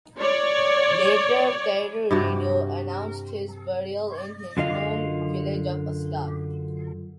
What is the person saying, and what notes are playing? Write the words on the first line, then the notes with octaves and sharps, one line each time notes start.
Later, Cairo radio announced his burial in his home village of Astal.
C#5 D5
G2 C3 F#4
F#2 D3 F4 D#5 F5